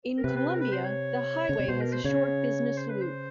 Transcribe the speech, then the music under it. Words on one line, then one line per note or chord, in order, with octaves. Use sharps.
In Columbia, the highway has a short business loop.
A#4
C3 B4
B4
B4
A#4
B4
C5
C#5
C#3
C3
B2 C5
A#4
C5
C#3 C#5
C5
B4
C5